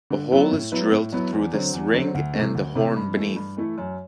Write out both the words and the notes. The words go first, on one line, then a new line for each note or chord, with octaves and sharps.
A hole is drilled through this ring and the horn beneath.
D3
F#3 B3 E4
A2
F#3 B3 E4 B4
A2
F#3 B3 E4 B4
E2
D3 F#3 C4
E2
D3 F#3 C4
D2
C3 E3 A3
D2
C3 E3 A3
G2
E3 A3 E4 A4
G2
E3 A3 E4 A4
F#2